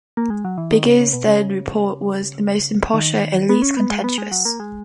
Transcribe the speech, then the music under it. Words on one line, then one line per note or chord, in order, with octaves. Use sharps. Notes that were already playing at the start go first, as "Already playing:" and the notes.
Bigge's third report was the most impartial and least contentious.
A#3
G#3
F#3
E3
D#3
C#3
C#3
B2
C#3
D#3
B3
C#4
B3
G#3
B3
G#3
F#3
A#3
G#3